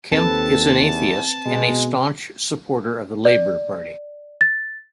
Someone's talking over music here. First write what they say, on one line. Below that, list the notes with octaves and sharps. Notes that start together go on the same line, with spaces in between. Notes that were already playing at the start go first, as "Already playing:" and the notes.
Kemp is an atheist and a staunch supporter of the Labour Party.
D#2 C4 A4 B4 A5
E2
B2 G#3
D5
A6